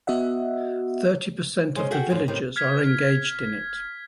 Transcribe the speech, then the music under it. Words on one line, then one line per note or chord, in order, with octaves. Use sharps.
Thirty percent of the villagers are engaged in it.
B3 F#4 D#5 E5 F#5
G#3 C#4 C5 D#5
F#4 G#4 A4 E5 F#5 G5
F#2 A2 D3 F4
A2 C3 D#3
F6 G#6 B6